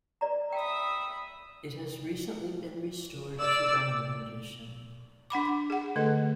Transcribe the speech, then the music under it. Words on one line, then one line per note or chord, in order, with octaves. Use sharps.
It has recently been restored to running condition.
B4 D5 A#5
E5 G5 B5 D#6
D5 E6
D4 F#5 B5 D6
G#4 F#5
D3 A3 A4 D#5